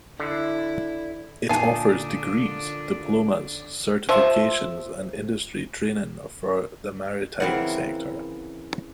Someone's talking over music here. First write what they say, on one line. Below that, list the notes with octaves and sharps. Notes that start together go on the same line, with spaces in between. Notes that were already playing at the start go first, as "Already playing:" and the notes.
It offers degrees, diplomas, certifications and industry training for the maritime sector.
D3 E4
A#2 D3 D4 D#4 F5 G#5 A5
F3 C5 E5
C#3 E3 C4 E4 A#4 F#5